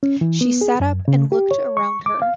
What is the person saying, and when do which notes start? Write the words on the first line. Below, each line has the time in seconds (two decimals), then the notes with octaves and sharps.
She sat up and looked around her.
0.03 C#4
0.21 E3
0.41 B3
0.61 G#4
0.80 F#2
1.08 C#3
1.32 G4
1.51 C#5
1.77 C#6
2.06 D6
2.22 F5